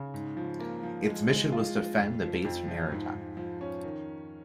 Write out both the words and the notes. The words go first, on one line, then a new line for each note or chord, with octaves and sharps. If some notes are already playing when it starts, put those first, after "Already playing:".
Its mission was to defend the base from air attack.
Already playing: C#3
G#2
F3
A#3
F3
G#3
G#3
F4
F4
F2
F3
F2
F3
G#2
G#2
F3
C#4
D#3